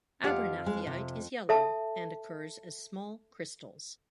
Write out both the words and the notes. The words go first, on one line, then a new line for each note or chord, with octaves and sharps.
Abernathyite is yellow and occurs as small crystals.
F2 G4 F5 F#5
G#3
C3
A4 E5 A5